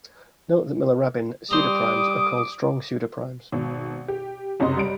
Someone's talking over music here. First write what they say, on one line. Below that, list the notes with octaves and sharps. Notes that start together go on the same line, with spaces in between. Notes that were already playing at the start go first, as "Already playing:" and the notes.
Note that Miller-Rabin pseudoprimes are called strong pseudoprimes.
G3 C5 A#5 D6 D#6
G#1 B2
G4
F#1 F#2 C3 D#5 C6
G3 D7